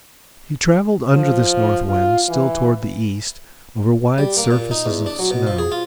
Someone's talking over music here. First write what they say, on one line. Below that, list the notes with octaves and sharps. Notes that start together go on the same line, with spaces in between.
He travelled under this north wind, still towards the east, over wide surfaces of snow.
F3
F4
E3
G3
A#3
A#2
D#4
E2
D4
F#3
B2
F3
G#4
F4